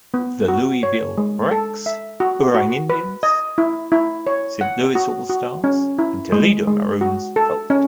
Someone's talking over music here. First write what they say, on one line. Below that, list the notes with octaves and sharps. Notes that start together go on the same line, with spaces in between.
The Louisville Brecks, Oorang Indians, Saint Louis All Stars and Toledo Maroons folded.
B3
F#4
C#5
G#3
A4
E5
F#4
F#4
B4
D#5
E4
E4
C#5
F#5
F#4
F#4
C#4
E4
G#3
G#3
F#4
A4
C#4